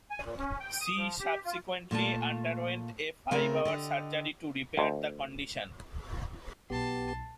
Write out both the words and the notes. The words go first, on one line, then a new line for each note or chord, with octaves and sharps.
She subsequently underwent a five-hour surgery to repair the condition.
G#5
A#2
C#4
G5
D#6
F3
G4
F4
A#2 A3 F4 A5
C#3 A3 C4 G#4 A#4
D3 G4 D#5
D2
B1 B3 G4 A5 C6